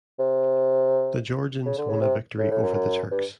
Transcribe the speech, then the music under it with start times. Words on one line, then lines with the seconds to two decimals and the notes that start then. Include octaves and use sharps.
The Georgians won a victory over the Turks.
0.19 C3
1.66 C#3
1.78 D3
1.90 C#3
2.02 C3
2.38 A2
2.51 A2
2.63 F#2
2.75 F#2
3.11 G2